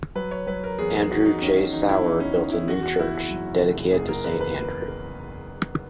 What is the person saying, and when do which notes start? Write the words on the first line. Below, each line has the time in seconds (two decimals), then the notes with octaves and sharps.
Andrew J. Sauer built a new church, dedicated to Saint Andrew.
0.15 F#3 B4
0.31 C#5
0.47 F#3 B4
0.64 A#4
0.79 E2 G#4
0.95 G#4
1.10 D#3 F#4
1.25 D#4
1.42 D#3 C#4
1.73 E2 D#4
1.89 E4
2.04 E2 D#4
2.20 C#4
2.35 D#3
2.51 E4
2.67 E2 F#4
2.83 F#4
2.99 F#1 E4
3.14 F#4
3.31 F#3
3.61 F#1
3.93 F#1 G#4
4.08 A#4
4.24 E2 B4
4.41 B4